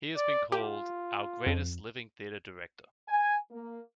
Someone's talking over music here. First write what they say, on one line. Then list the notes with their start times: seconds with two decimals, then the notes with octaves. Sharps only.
He has been called "our greatest living theatre director".
0.17 D5
0.52 F4 G4
1.47 F2
3.09 G#5
3.51 A#3